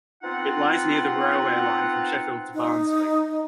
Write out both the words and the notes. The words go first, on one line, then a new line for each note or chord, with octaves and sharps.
It lies near the railway line from Sheffield to Barnsley.
B3 C4 D#4 F4 F#5
D#4